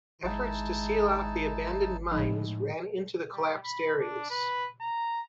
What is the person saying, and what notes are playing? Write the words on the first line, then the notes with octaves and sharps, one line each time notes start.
Efforts to seal off the abandoned mines ran into the collapsed areas.
G#1 G#3 D#4 E4 A5
A2 F3 G#3 D#4 D#5
G3
B5
D4
B4
A#5